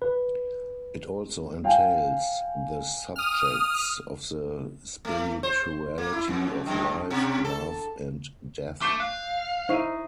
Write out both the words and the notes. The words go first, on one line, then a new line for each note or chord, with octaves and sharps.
It also entails the subjects of the spirituality of life, love and death.
B4
F5 G5 G#5
D#6 F6
A3
C5
A#3
E4
F2
F#2
B2
A4
A3 C#6 D6 G6 C7 G7
F5 F#6
D#4 E4 C5 C#6 C7 D#7